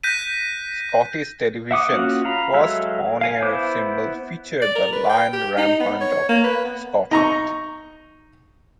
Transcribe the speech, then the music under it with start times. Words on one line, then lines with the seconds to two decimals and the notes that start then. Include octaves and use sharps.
Scottish Television's first on-air symbol featured the Lion Rampant of Scotland.
0.03 F#6 G6 A#6 B6 D#7
1.71 E5 F#5 D6 D#6
1.92 A#3 C#4 F4 F#4
2.25 F5 A#5 B5
2.54 F#3 G#3 A4 E5 F5
3.21 F5 G#5
3.42 B3 E4 C5 D6 G6
4.62 D5
4.75 A#4
4.92 B4
5.09 G5
5.33 G4
5.57 D#4
5.80 B3
6.01 C#5
6.29 A#3
6.44 B4
6.64 B3
7.11 D#4 A#5 C#6